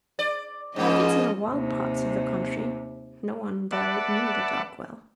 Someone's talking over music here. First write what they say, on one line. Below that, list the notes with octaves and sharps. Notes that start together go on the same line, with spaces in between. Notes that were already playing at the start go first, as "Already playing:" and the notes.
If it's in the wild parts of the country, no one there would need a dark well.
D5
G#2 F3 G#3 A#3 C#4 D#5
D#2 C3
B4 D5 E5 F#5 A5